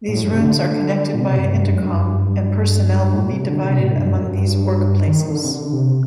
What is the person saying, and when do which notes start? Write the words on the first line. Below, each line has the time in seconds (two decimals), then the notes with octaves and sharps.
These rooms are connected via intercom, and personnel will be divided among these workplaces.
0.08 A2
0.24 G2
0.33 C3
0.41 D3
1.14 A#2
1.21 C3
1.37 G2
1.54 G2
1.70 F#2
1.86 G2
1.96 F#2
2.05 G2
3.03 G2
3.14 A2
3.31 C3
3.47 D3
3.63 C3
3.80 A2
3.96 G2
4.11 F#2
4.27 G2
5.07 D#3
5.30 D3
5.44 C3
5.51 D3
5.66 D3
5.73 C3